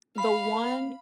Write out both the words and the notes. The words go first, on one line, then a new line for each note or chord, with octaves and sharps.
the one
F5 B5